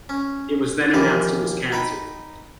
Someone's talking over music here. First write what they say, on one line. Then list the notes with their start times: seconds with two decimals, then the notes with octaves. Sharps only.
It was then announced it was cancelled.
0.09 C#4
0.94 D#2 E3 F3 G4
1.72 D#4 B4 G5